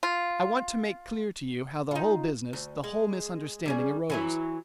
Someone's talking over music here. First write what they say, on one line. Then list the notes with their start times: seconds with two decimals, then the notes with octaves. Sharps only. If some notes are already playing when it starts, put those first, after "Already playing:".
I want to make clear to you how the whole business, the whole misunderstanding arose.
0.03 F4
1.91 D#4 F4
2.53 D2
2.84 G#3
3.66 G3 C#4 G#4
4.10 E3 F#3 E4